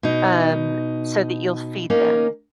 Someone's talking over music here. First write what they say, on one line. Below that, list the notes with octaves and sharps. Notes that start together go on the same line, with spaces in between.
um, so that you'll feed them.
B2 D#4
A#3 C#4 D#4